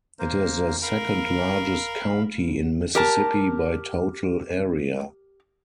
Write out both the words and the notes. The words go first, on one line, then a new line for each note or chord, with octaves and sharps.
It is the second-largest county in Mississippi by total area.
A#3 A#4 C5
A#4 F5 B5
G4 A#4 A5